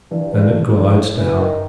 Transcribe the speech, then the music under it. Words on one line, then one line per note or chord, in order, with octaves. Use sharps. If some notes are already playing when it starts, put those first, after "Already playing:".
Then it glides down.
G2 E3
G2 E3
D#3
E3
A2 F3
C#3 E3
D#3